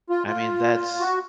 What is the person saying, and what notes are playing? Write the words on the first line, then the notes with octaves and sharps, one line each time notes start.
I mean, that's,
F4
F4
F#4